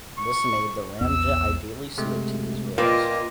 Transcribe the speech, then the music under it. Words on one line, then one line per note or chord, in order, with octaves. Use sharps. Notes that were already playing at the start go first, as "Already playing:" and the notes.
This made the ramjet ideally suited to these roles.
C#6
A#1 E2 B3 E6
C3 G#3 A3
A#2 A#3 F4 B4 D#5 F5 G5 D6